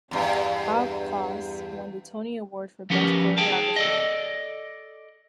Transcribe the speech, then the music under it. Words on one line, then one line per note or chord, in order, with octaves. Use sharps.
Bob Fosse won the Tony Award for Best Choreography.
E2 G2
F3 B3 C#4 G4 A#4
G#4 G5 A5
A4 D5 D#5